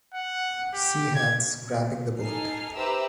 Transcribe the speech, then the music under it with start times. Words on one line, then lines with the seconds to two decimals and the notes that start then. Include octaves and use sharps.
Sea hands grabbing the boat.
0.14 F#5
0.74 G4
1.15 G#6
2.21 D#4 A4 G#5 F6 C7
2.76 G4 B4 C5 E5 A#5 E6